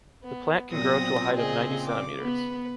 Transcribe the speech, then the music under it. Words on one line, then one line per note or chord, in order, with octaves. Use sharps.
The plant can grow to a height of ninety centimeters.
B3
A#2 F#3 B3 C4 D#6 A#6
C#3 G#4 D#5
D6
B3 B4